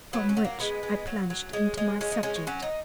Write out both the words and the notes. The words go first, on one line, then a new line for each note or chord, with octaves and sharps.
Upon which I plunged into my subject.
F#3 B3
C#4
F#3
A#3
G#3 B3
G#3
F#3 C#4
F#3
G#3
G#3
G#3 C#4
D#4
G#3 C#4
C#4
F#3 C#4
D#4